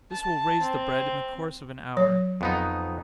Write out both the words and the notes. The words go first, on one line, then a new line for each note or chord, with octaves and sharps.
This will raise the bread in the course of an hour.
A5
C4
F#3 C#5
F2 B3 D#4